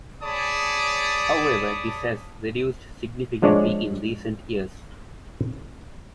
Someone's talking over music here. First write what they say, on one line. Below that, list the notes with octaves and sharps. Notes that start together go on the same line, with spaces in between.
However this has reduced significantly in recent years.
G#4 C#5 D5 A5 B5 D#6
F3 G#3 D4 C#5 D5